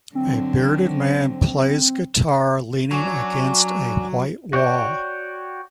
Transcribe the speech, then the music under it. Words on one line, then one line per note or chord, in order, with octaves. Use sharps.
A bearded man plays guitar leaning against a white wall.
D3 F#3 C4
F#3 C#4 D4 F#4
F#4 C#5 D5 G5